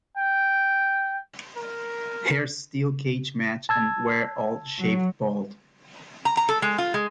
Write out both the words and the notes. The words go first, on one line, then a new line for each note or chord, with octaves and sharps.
Hairs steel cage match and were all shaved bald.
G5
A#4
A5 E6 G#6
F#3
A#5
A#5
A4
G#3
F4
G#3